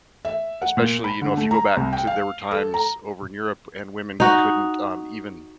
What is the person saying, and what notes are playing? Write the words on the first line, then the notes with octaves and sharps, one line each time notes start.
Especially, you know, if you go back to there were times over in Europe, and women couldn't, um, even
E5
F#5
A#2
B5
D3
A3
A#5
C2
G5
F5
A4
A#5
D#4 F#4